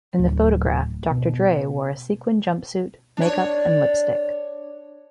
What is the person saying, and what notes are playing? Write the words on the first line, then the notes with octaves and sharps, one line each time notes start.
In the photograph Doctor Dre wore a sequined jumpsuit, makeup, and lipstick.
D1
B2
D4 C#5